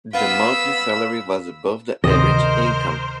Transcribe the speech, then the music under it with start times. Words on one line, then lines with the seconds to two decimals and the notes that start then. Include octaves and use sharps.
The monthly salary was above the average income.
0.13 B3 F4 B5 E6
2.04 D2 C3 D#3 A#4 C5 D#5